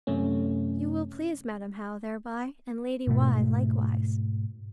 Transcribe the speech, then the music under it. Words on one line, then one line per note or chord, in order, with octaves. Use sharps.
You will please Madam How thereby, and Lady Why likewise.
F#2 C3 A3 C#4
G#2 B2 A3